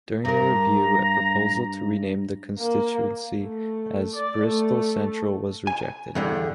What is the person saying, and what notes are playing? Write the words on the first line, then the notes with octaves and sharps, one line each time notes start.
During the review, a proposal to rename the constituency as "Bristol Central" was rejected.
G2 A#4 A#5
A#3
A3
D5
A3
G#5
E2 G2 D3